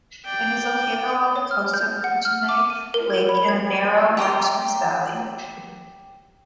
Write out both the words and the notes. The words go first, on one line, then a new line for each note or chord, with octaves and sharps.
It is located along the coast of Kootenay Lake, in a narrow, mountainous valley.
D5 G5
C#5
F6
G6
F#5
F6
D6
D#7
A#4
G#6
B5
G#6
G4 G5 A#5 C6